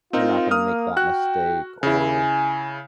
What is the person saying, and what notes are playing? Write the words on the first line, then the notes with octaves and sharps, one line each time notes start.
you're not gonna make that mistake or
C4 D#4 F4 A#4
A#3 D#6 F6
F#4 G5 F#6
C#3 E4 G#5